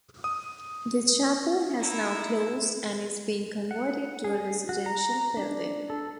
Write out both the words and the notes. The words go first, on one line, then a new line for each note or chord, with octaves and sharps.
The chapel has now closed and is being converted to a residential building.
D#6
D#4 E4
F#5
G#4
F#4
A#5
D4
A4